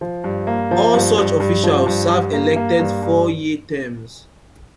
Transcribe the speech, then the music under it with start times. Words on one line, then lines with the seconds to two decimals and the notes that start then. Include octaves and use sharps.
All such officials serve elected four-year terms.
0.01 F3
0.24 G2
0.47 A#3
0.71 F3
0.94 G2
1.18 G2
1.40 G2
1.64 F3
1.86 G2
2.10 G2
2.33 A#3
2.56 A#3
2.79 G2
3.03 G2